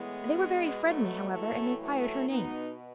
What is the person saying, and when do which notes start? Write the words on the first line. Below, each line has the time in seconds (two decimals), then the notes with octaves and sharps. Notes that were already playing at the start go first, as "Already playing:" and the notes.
They were very friendly, however, and inquired her name.
Already playing: A2 E3 G#3 B3
0.34 B2
0.82 F#3 A3
1.31 A2 E3 F#3 A3
1.80 F#3 A3
2.29 B2 B3 D#4